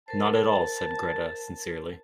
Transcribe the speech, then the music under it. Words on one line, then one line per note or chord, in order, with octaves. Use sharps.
"Not at all," said Greta sincerely.
A#4 C5 A5